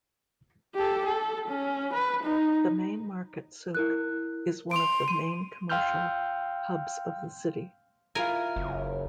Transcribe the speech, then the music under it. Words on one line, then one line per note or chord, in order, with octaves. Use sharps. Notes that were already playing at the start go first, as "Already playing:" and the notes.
The main market "soukh" is one of the main commercial hubs of the city.
G4 A4
A4
C#4
B4
D#4
E4 A#4 F#6
C6 D7 F7
D#7
F5 G5 C6 E6 F6 G6
E4 F4 A#4 G#5
F#1